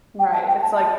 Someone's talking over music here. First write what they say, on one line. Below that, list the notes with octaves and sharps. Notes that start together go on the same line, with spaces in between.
Right, it's like
G5
A5
G5
A5
A5